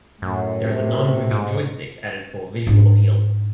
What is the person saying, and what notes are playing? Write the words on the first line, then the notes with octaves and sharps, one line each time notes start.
There is a non-moving joystick, added for visual appeal.
F#2 A2
C3
G#2
G#2 D4